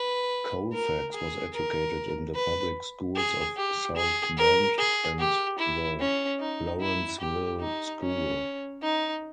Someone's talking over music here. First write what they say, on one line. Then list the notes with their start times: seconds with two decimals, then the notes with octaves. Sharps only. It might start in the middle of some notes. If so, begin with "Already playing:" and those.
Colfax was educated in the public schools of South Bend and the Lawrenceville School.
Already playing: B4
0.73 A#4
1.13 G#4
1.54 A#4
2.35 B4
3.15 G#4
3.57 G4
3.97 G#4
4.37 A#4
4.78 G#4
5.19 G4
5.59 E4
6.00 C#4
6.40 D#4
6.81 E4
7.20 G4
7.60 D#4
8.02 C#4
8.83 D#4